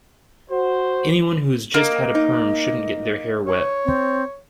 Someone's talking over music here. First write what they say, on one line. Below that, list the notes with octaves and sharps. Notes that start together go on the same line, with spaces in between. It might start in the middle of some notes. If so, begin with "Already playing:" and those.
Anyone who has just had a perm shouldn't get their hair wet.
F#4 C5
A#3 D#5
D#4
C#5
C4